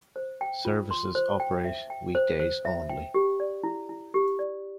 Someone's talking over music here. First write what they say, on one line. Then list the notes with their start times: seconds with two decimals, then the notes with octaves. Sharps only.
Services operate weekdays only.
0.16 C5
0.41 G5
0.65 F4
0.91 C6
1.15 C5
1.40 G5
1.65 E5
1.90 G5
2.15 C5
2.40 C5
2.65 E5
2.89 G5
3.14 G4
3.40 D5
3.64 E4
3.89 E4
4.14 G4
4.39 D5